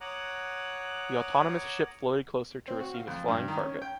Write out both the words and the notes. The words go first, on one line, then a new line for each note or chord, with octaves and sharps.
The autonomous ship floated closer to receive his flying cargo.
C#5 F#5 A#5 D6 D#6 F#6
C4
F#4
F5
F2
G2
D#3
C#4
G5